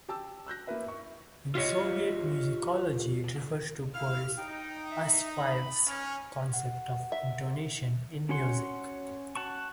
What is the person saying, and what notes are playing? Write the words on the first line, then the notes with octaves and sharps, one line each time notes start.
In Soviet musicology, it refers to Boris Asafiev's concept of intonation in music.
G4 A5 E6
E6 F#6 G6 A#6
A#3 E4 A#4 B4 E5
E5 C#6
F4 G4 C#5 D#5
E4 F5 F6
D#4 G5
E5
B5
C#4 F6
F#5
E5
C#4 F#4 C#5 F#5 C6
F#5 A5 C#6